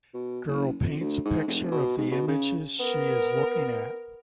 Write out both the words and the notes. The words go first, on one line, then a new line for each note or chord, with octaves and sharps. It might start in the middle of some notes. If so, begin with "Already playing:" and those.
Girl paints a picture of the images she is looking at.
B2
F#1
F2
D2
G#2
F1
B2
G#2
B2
C#3
B3 A#4